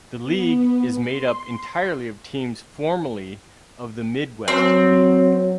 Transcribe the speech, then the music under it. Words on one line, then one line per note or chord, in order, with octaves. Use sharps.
The league is made up entirely of teams formerly of the Midwest League.
B3
C6
F#3 C4